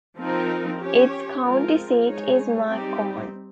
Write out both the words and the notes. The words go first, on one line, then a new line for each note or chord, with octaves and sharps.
Its county seat is Macon.
F3 C4 D#4 A#4
C#4 G4 C#5
F3 G#3 C4 F4 A#4
G#3 D#4 G#4 C#5
G3 C4 D#4 G4